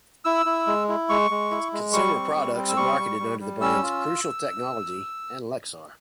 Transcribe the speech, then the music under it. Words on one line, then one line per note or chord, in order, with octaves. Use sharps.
Its consumer products are marketed under the brands Crucial Technology and Lexar.
E4 E6
E4
G#3
E4
G#3 C#6
G#3
E4
G#3
G3 C#6
C4
G3
C4
E6
G3 C#6
G3
G3
G3
C#4 E6
F4